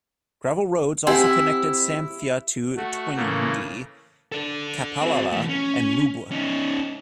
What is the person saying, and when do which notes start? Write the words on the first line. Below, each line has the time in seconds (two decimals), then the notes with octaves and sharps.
Gravel roads also connect Samfya to Twingi, Kapalala, and Lubwe.
1.07 C4 E4 G4 C5 F#5 G#5
2.76 A3 F#4
3.16 A2 C#3 E3 A3 A#3
4.32 A4 D5
5.01 C4 F#4
5.32 E3 A3
5.49 C#4
6.32 C#4 D#4